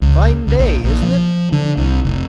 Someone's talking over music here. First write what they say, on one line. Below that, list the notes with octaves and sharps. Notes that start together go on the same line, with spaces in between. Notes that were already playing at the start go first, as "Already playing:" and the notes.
"Fine day, isn't it?"
C#2
C#2
A#1
A#1
F3
D3
C2
F1